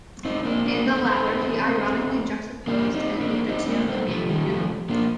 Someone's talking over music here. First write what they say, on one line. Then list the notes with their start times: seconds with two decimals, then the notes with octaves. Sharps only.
In the latter he ironically juxtaposed it with the tune of "Yankee Doodle".
0.25 C4 D#4
0.45 A#3 D4
0.66 A#3 D4
0.86 A3 C4
1.06 A3 C4
2.67 A#3 D4
2.94 C4 D#4
3.21 A#3 D4
3.48 C4 D#4
3.68 A#3 D4
3.88 A3 C4
4.08 F3 A3
4.29 D#3 G3
4.49 F3 A3
4.89 A#3 D4